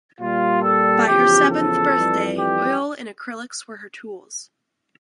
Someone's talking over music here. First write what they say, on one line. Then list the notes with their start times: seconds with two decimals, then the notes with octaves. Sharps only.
By her seventh birthday, oil and acrylics were her tools.
0.19 A#2 G3 F4
0.63 A4
1.06 E2 C#3 F3 G4
1.50 A4
1.93 F2 E3 G3
2.37 G4